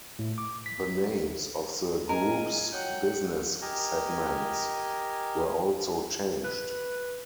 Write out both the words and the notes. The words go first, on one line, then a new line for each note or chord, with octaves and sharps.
The names of the Group's business segments were also changed.
A2
D6
B6
G#3 A#4 G#5
F#3 F#5 G5
G4 A#4 D#5 G#5
B4